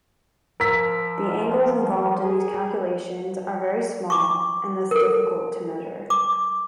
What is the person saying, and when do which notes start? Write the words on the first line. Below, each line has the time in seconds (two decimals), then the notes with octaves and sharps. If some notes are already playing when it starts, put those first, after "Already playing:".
The angles involved in these calculations are very small and thus difficult to measure.
0.60 F3 A#4 E6 B6
2.24 G#4
4.10 C#6 D6
4.91 A4 A#4
6.10 D6